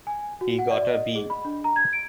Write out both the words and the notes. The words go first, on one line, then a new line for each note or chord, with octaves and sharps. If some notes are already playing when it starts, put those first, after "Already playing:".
He got a B.
G#5
F#4
F#5
D5
D#5
G#4
B5
D4
A#5
G#6
D7